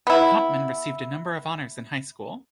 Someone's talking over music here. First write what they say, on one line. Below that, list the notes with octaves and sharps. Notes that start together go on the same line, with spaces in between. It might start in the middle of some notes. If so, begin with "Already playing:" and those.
Kampman received a number of honors in high school.
B3 E4